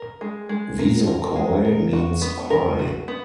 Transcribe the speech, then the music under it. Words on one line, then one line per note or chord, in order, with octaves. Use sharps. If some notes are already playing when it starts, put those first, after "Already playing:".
Visokoi means "high".
Already playing: A#4
G#3
G#3
A#4
A#4
G#3
A#4
F#4
B3
A#4
F#4
B3